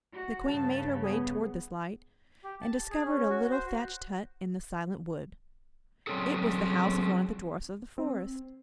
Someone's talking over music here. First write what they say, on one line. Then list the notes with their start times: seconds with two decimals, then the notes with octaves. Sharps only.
The Queen made her way toward this light, and discovered a little thatched hut in the silent wood; it was the house of one of the dwarfs of the forest.
0.12 F#4
0.47 G2 C#3 A5
1.03 B3 G#4
2.44 G4
2.61 A5
2.91 G#4
3.05 C#4
3.30 F#4
3.51 C5
3.66 F#4
6.07 F#3 C4 C#4 G#4 A4
7.98 C4